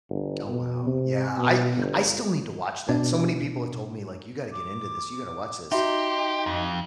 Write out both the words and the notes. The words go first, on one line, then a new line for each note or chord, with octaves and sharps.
Oh, wow. Yeah, I I still need to watch that. So many people have told me, like, "You gotta get into this. You gotta watch this."
G1
B2
C3
B2
G1
B2 D4
D6
D#4 F#4 G4 E5 C6
F2